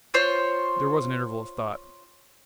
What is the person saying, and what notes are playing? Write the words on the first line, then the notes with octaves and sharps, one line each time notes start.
There was an interval of thought.
F4 C5 C#5